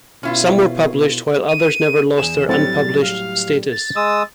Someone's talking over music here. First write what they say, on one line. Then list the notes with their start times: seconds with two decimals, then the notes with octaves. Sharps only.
Some were published while others never lost their "unpublished" status.
0.23 B2 C#4 E4 F4
1.48 D#7
2.18 E2 G#4 E7
2.49 A2 F#3 G3 A3 C4 E4 A6
3.01 F5
3.71 A6
3.96 G#3 D#6 E6